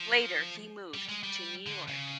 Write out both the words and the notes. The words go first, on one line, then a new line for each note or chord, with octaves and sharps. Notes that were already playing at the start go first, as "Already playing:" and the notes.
Later he moved to New York.
Already playing: F3
G3
G#3
G3
D3
C#3